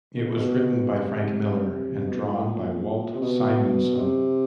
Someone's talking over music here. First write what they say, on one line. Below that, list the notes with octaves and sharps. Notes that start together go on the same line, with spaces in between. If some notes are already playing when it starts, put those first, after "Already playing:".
It was written by Frank Miller and drawn by Walt Simonson.
B2
A#2
B2
C3
C3
B2
A#2
A2
A#2
C3
B2
C3